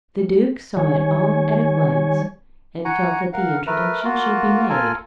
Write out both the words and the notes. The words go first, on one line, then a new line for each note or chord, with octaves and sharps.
The Duke saw it all at a glance, and felt that the introduction should be made.
D#3 G3 C#5 G#5
F#5 G#5 A#5 C#6
A#4 F5 F#5
A3 A#4 B4
A#3 F4 F#4
F4 A4 A#4 G#5